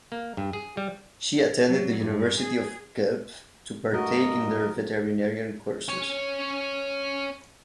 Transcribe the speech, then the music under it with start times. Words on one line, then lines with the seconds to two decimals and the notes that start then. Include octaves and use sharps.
She attended the University of Guelph to partake in their veterinarian courses.
0.12 A#3
0.37 G2
0.53 G#4
0.77 G3
1.67 F#3
1.99 G2
2.38 G#4
3.93 G2 A3 F#4 A#4 D#5
5.88 C#4 C#5